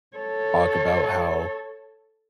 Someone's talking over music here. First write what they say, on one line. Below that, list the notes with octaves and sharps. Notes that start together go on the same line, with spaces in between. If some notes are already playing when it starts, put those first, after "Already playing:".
talk about how
A4 C#5